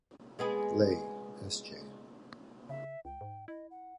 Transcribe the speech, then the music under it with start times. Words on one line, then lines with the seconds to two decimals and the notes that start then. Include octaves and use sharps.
Leigh S. J.
0.39 G#3 B3 G#4
2.69 C#3 E5
3.05 C#2 G5
3.21 G#2
3.48 E4 D#5
3.71 F#5